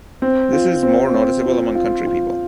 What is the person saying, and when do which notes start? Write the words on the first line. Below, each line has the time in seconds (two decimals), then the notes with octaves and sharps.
This is more noticeable among country people.
0.22 C4
0.53 F4
0.83 C4
1.14 C4
1.45 F4
1.75 F4
2.07 F4